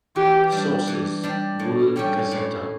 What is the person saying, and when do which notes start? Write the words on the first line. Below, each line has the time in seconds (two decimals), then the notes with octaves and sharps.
Sources : World Gazetter.
0.16 E3 G4
0.52 G3 D4
0.87 E3
1.23 G3 D4
1.59 A2
1.96 G3 C#4 G4
2.31 A2